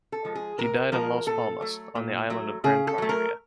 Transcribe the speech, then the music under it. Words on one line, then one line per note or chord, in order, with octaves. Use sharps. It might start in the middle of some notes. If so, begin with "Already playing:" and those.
He died in Las Palmas, on the island of Gran Canaria.
A4
F3 G#3
G#4
C3 A#4
F3 G#3 A#4
A#2 A4
F#3 A3
A#2
F#3 A3
C#3 G#4
A4
F#3 A3
A#4